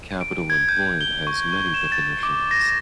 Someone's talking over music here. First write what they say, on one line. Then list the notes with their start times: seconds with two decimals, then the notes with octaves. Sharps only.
Capital Employed has many definitions.
0.21 D7
0.50 G#6
0.69 G6
1.01 G7
1.27 C#6
1.52 C#6
1.74 E7
1.92 A6
2.23 D6
2.51 A#6